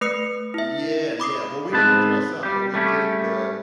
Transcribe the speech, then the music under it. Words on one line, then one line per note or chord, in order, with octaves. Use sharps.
Yeah, yeah, well, we didn't dress up, but we did the
A3 B4 D#6 C#7
E4 E5
B5 D6 D#6 C7
G#2 B3 C4 B4 A5
G3 G4
G3 A3 C#4 G4